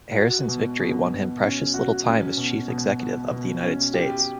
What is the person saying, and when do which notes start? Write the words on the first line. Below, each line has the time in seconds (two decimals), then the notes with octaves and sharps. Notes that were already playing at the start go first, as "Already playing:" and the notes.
Harrison's victory won him precious little time as chief executive of the United States.
0.17 F#4
0.48 B2
0.80 B2
1.11 B2
1.43 C#4
1.74 F#4
2.06 C#4
2.37 B2
2.68 B2
3.00 B2
3.31 B2
3.62 C#4
3.94 G4